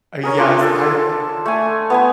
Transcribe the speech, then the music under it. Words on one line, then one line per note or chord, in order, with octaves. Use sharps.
Uh, yes, I
G#4 A#4 C#5
D4 F4
A4
A3 G#5
B3 B4 G#5